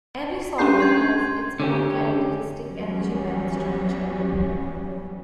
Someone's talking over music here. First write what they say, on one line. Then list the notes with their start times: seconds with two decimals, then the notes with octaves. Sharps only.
Every solid has its own characteristic energy-band structure.
0.58 C#4 D4 G4 G6 C7
0.80 C6 G#6
1.60 D3 C#4 G4
2.62 E3 F#3 G3 B3 C#4